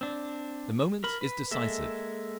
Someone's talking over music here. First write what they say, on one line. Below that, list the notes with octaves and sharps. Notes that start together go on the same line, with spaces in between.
The moment is decisive.
C4 D4
A#4 B5
B4
G#3 A#3 A4 E5